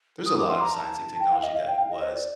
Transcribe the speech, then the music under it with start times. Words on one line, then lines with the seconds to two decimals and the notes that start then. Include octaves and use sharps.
There's a lot of science and technology that was,
0.26 D#6
0.37 D6
0.49 C6
0.61 A#5
0.73 A5
1.19 G5
1.32 F5
1.43 D#5
1.55 F5
1.67 G5
1.78 F5
1.90 D#5
2.02 C5
2.14 D5